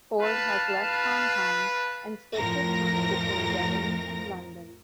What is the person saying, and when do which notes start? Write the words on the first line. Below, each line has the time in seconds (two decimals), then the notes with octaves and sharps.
Ford has left Hong Kong and splits his time between Devon and London.
0.20 B4 F5 A5
0.76 B4
2.35 F2 A2 F3 A#4 A#6